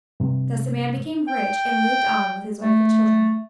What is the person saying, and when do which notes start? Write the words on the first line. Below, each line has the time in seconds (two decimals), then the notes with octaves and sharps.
Thus the man became rich and lived on with his wife and children.
0.20 G2 C3
1.28 G5
2.60 A3